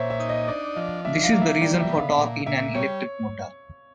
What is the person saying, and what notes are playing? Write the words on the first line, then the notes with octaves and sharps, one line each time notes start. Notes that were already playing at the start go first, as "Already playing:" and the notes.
This is the reason for torque in an electric motor.
Already playing: A#2 C5 C#5 E5
E5
D#4
D#5
D4 D5
F3 D#5
D4 E5
F5
A#3
E5
G3 D5
E5
B3
F5
A#2
A#2 E5
G3 C#5